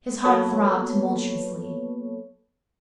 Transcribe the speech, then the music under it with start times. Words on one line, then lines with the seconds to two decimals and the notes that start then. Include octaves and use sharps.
His heart throbbed tumultuously.
0.24 F#3 A#3 B3 A4 B4 C#5